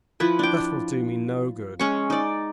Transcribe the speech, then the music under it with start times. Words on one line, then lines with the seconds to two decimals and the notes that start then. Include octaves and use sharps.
"That will do me no good."
0.20 F3 E4 B4
0.39 D4 G5
1.79 G#3 C#4 C#6
2.10 D#4 D5